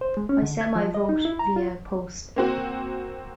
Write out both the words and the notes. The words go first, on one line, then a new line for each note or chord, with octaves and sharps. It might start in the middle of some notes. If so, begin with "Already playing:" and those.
I sent my vote via post.
C5
G#3
C#4
D3
G#6
F3
D#5
D#4
E4
A#5
F4
A#3 C4 F#4